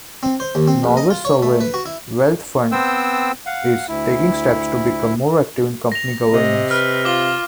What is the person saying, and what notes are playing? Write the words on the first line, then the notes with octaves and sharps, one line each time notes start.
Norway's sovereign wealth fund is taking steps to become more active in company governance.
C4
C5
D#2
C4
A#1
D#5
F4
C#5
A3
B4
F#4
E4
B3 C4 C5 G5 E6
F5 F#5
D2 E4
A#6 F7
C3 D#5
B4 F6
F4 D6 G7